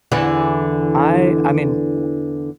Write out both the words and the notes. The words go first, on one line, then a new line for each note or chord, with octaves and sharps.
I I mean, w
E2 D3 E3